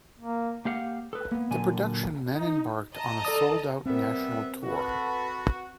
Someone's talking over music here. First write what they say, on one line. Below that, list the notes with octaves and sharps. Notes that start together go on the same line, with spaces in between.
The production then embarked on a sold out national tour.
A#3
A#3 G4 F5 F#5
A4 B4
A#3 B3
A#2 D3 F#3 G#5
D#4
D#5 A5 A#5
A4 D5 D#6
G3 B3 C4 A#4 E5
F#4 A4 B4